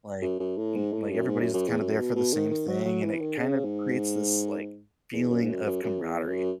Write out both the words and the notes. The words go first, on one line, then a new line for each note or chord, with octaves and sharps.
Like, m like, everybody's kinda there for the same thing, and it kind of creates this, like, feeling of camaraderie,
F#2
F#2
A2
G#2
A2
F#2
G#2
F#2
F#2
E2
F#2
B2
B2
D#3
D#3
F#3
F#3
E3
D#3
C#3
G#2
E2
F#2
G#2
F#2
F#2
F#2
E2
F#2